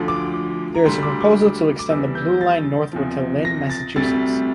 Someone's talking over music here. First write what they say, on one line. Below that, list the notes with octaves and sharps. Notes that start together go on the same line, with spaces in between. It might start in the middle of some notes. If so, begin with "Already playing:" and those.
There is a proposal to extend the Blue Line northward to Lynn, Massachusetts.
Already playing: D2 D3 F3
D6
A#5
D2 D3 G3 C6
D6
D6
D6
E2 E3 G3 E6
G6
A6
E2 C3 F3
A#6
A6
D2 C3 G3 A6